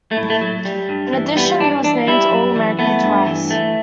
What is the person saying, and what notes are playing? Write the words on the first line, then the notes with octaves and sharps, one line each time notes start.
In addition he was named All-American twice.
A3
A2
A3
F#3
G3
G2
E3
G3 B3
G2 D4
E3 D4
G3 E4
F#2
E3
A3 B3
G2
E3
A3